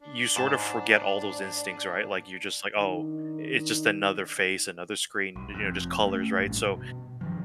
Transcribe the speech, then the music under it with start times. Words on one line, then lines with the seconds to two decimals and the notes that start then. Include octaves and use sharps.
you sort of forget all those instincts, right, like, you're just like, "Oh, it's just another face, another screen." n you know, just colors, right, so
0.01 D4
0.36 G#2 A5
2.77 D#3 D4 D#4
5.36 B1
5.52 F1 F2
6.06 A3 C#4
6.38 A1 G2
6.65 B2
7.21 G2 D#3 F3